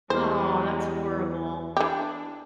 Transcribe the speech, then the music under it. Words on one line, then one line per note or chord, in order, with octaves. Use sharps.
Aw, that's horrible.
E2 G3 G#3 C5
E3 D4 G4